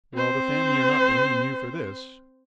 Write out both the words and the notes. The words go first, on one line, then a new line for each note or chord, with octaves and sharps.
"Well, the family are not blaming you for this."
C4 C5